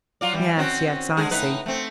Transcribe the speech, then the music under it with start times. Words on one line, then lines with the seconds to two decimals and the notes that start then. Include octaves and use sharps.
Yes, yes; I see.
0.21 F#3 F4 D5
0.33 E3 G3
0.57 C4 C#4 F#4
1.17 D3 G#3 G#4
1.31 A2 D#4 B4
1.66 A3 C4